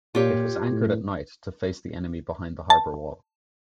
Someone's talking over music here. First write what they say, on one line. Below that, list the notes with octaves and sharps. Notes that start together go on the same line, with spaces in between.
It was anchored at night to face the enemy behind the harbour wall.
A#2 F4 G4 C#5
A2
A5